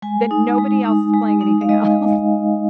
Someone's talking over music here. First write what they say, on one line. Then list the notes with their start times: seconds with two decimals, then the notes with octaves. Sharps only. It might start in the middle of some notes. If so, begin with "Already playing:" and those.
then nobody else is playing anything else.
0.02 G#3 G#5
0.31 D#4
0.58 G#3
0.85 D#4
1.14 G#3
1.41 D#4
1.61 F5
1.69 G#3 D#5